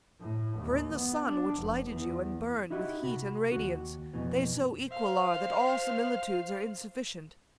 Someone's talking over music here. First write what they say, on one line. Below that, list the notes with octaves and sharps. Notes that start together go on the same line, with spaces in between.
For in the Sun, which lighted you and burned With heat and radiance, they so equal are, That all similitudes are insufficient.
A2
D#2
B3
D4
F1
E2
D#4 E4 F#4 G4 D#5
C3 F#4 B5
D#2 F#4
F2 B2 E3
C5 F5